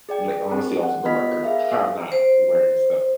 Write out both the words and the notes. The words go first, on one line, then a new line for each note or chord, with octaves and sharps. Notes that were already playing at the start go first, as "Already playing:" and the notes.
like, honestly, also the weather, I'm not wearing stuff
G#4 D5 G5
C4 G#4 A#4
F#5
B3 F4 D#5 B5 B6
G#4 A#4 E5 F5
F5
C5